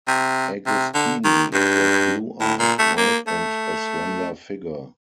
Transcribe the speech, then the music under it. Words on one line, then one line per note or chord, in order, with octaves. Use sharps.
Agustini was blue eyed, white and a slender figure.
C3
C3
D3
D#3
G2
A2
A#2
A3
A#3
A3